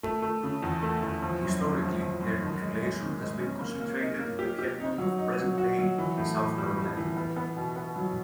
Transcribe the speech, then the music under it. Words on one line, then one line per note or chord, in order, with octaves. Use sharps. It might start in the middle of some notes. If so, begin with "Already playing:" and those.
Historically, their population has been concentrated in the Piedmont of present-day South Carolina.
A3
A3
C#3
E2
A3
E2
F3
F#2
C#3
F3
F3
F#2
D#3
G#3
G#3
D#3
G#3
C#4
A#3
A#3
D#4
A#3
G4
G4
D#4
F#3
D#4
F#3
F#4
F#3
E3
A2
A2
G3
G3
E3
B3
B3
B2
B3
F#3